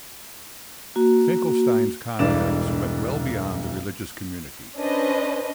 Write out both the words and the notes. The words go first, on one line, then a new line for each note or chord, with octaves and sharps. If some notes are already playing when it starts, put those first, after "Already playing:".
Finkelstein's contacts went well beyond the religious community.
A#3 F#4
E1 B1 G2 E3 D5 E7
C#4 D4 B4 C5 D#5